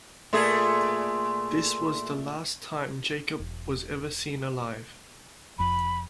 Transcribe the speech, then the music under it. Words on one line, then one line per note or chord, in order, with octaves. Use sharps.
This was the last time Jacob was ever seen alive.
A#2 A3 G#4 C6
E1
F1 F2 B5